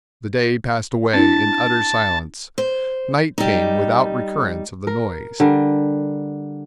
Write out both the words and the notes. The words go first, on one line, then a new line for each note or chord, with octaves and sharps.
The day passed away in utter silence--night came without recurrence of the noise.
C4 D4 E4 A5
C5
G3 D#4
A#4
D3 G3 A#4